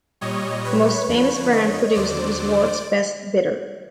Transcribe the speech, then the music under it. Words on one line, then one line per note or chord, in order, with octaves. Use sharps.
The most famous brand produced was Wards Best Bitter.
A#2 G3 C#5 D#5
B4 C#5
F2 D3 F3
C#5 D#5
D#2 D3 F#3 C5 D5